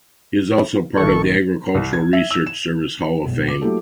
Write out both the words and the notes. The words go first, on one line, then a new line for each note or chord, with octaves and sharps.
He is also part of the Agricultural Research Service Hall of Fame.
A1 D#3 A4 C#6
C2
G#6
E5
E6
E7
E1 B1
D6
F#3 A3 A#3 E4 G4 A4